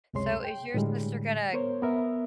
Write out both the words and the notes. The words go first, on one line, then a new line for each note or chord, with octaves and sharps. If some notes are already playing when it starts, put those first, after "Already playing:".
So, is your sister gonna
C#2 F#2 C3 G#3 C#5 C6
G5
A2 D3 G3 G#3
B3 A#4 C5 C#5
B3 A#4 E5